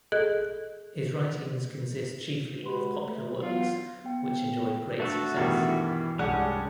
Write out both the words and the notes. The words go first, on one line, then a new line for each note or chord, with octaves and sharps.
His writings consist chiefly of popular works, which enjoyed great success.
G#4 A4 D#5 F#6
G#3 F#4 G4 B4 C6
A3
E3 F#3 B3 F4
B3 G5
A3 D4 F#4 A4
G2 B2 D#3 E3
C2 G2 G3 G#3 C#4 D5 F#5 A5